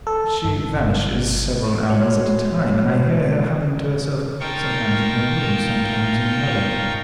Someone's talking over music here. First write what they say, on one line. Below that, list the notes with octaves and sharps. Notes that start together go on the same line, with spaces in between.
She vanishes several hours at a time, and I hear her humming to herself, sometimes in one room, sometimes in another.
A4
G1
G#3 F#4 C#5
D#4 F4 A#4 G5 A5 C#6